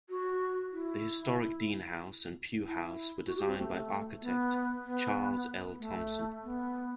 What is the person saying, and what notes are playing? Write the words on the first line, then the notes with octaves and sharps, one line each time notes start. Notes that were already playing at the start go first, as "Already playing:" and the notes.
The historic Dean House and Pugh House were designed by architect Charles L. Thompson.
F#4
E4
E4
F#4
G4
C4
A3
B3
B3
A3
B3